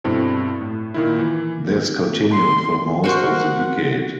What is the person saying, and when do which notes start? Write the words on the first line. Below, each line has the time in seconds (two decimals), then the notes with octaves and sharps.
This continued for most of the decade.
0.04 G2 B2 C4 E4 A4
0.61 A2
0.94 A#2 D#3 E4
1.19 E3
2.31 C6
3.04 F#4 A#4 C5 F#5